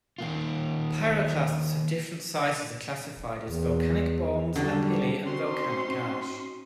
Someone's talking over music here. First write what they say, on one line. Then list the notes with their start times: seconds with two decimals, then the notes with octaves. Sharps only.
Pyroclasts of different sizes are classified as volcanic bombs, lapilli, and volcanic ash.
0.18 D#3 A#3 F4
3.49 E2
4.56 D3 F#3 G3
5.26 C4 C#4 D#4 F#4 C6